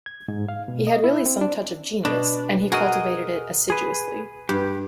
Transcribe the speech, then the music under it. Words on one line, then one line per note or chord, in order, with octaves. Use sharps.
He had really some touch of genius, and he cultivated it assiduously.
G#6
G#2
F5
B2
D#5
E4
C4
D4
B2 D4
F#4 G#4 A#4 D#5
G#4 B4
G2 G4